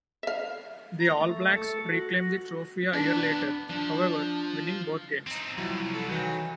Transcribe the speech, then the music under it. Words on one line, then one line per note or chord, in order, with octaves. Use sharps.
The All Blacks reclaimed the trophy a year later, however, winning both games.
E5 F5
A#5
A3
A4
F#4
B3 D4 D5
F3 D4
C4 D#4
C2 F3 F#3 E4
A4
D#3 E3 F#3 G6 C#7